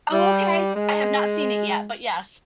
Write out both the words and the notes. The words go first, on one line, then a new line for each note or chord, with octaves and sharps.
Oh, okay. I have not seen it yet, but yes.
G3
G#3